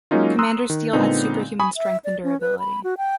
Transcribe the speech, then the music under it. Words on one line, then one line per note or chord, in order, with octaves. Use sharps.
Commander Steel had superhuman strength and durability.
F#3 G#3 A#3 C#4 D#4 F4
A#5 C6 D#6 E6 F#6
D#3
A#2 D3 G#3 B3 C4 D#4
G#5 B5 C#6 D#6
E5
D5
C#4
B4
B5
F#4
G5